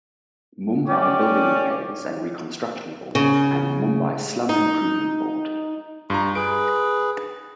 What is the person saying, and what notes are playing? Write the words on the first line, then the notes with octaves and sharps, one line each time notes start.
Mumbai Building Repairs and Reconstruction Board and Mumbai Slum Improvement Board.
C#4 G4 D5 D6
C#3
D#4
G2 F4 A#5
G#4 B4 D7